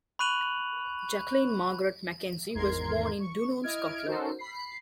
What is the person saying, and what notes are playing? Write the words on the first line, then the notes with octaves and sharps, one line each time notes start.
Jacqueline Margaret Mackenzie was born in Dunoon, Scotland.
B5 C#6 F#6 D#7 F7 F#7
G#1 E2 G#2 A#4 C6 G#6
C#6
E4 D#5 F6 G#6 D7
C#4 D#4 F#4 A4 A#4 C5
B5 C7